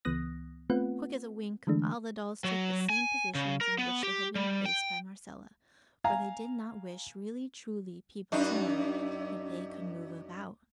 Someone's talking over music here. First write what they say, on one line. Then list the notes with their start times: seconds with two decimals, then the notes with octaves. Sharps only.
Quick as a wink, all the dolls took the same positions in which they had been placed by Marcella, for they did not wish really truly people to know that they could move about.
0.05 C#2 E3 B3 D#6 F#6 A#6
0.70 A3 B3 C4 F4 B4 F#5
1.67 D3 E3 G#3 A3 D4
2.44 F#3
2.90 G#5
3.35 C#3
3.61 A#4
3.78 B3
4.03 G4
4.35 G3
4.66 G5
6.04 F5 G#5 A#5
8.32 F#2 D4 D#4